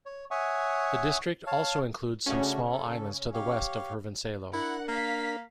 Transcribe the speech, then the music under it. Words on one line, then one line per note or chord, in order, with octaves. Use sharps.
The district also includes some small islands to the west of Hirvensalo.
C#5
C#5 E5 F#5 G#5 C#6 D#6
C#5 F5 A5
C#3 A3 C#4 D4 F#4
A4
G4 C#5 F5
D4 E4 A#4 F#5 F#6
A#3 F5 B6